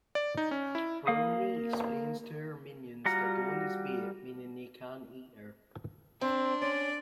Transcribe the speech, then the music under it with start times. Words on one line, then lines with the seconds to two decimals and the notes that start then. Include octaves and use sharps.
Harmony explains to her minions that Dawn is bait, meaning they can't eat her.
0.15 D5
0.37 D#4
0.51 C#4
0.75 E4
1.07 A#3 F5 D#6
3.06 G3 F4 F#4 F#5 A#5
6.21 C4 D4 C6
6.62 C#4 D5